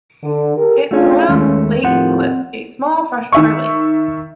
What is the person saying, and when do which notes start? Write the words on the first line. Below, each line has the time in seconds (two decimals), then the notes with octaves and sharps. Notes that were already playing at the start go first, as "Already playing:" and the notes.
It surrounds Lake Cliff, a small freshwater lake.
0.23 D3
0.57 G4 A4 A#4
0.91 A3 C#4 D4 F4 G#4
1.28 D#2 G#3 A3 C#4
1.84 D#2 A2 F3 C4 F#5
3.32 D#3 E5 C#6